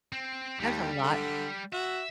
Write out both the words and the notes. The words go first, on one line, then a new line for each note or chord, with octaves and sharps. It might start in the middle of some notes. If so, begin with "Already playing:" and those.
There's a lot
C4
D#2 G3
D3
F#4 E5